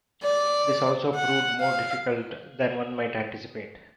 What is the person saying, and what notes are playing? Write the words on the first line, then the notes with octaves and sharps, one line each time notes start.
This also proved more difficult than one might anticipate.
D5
F#5
F5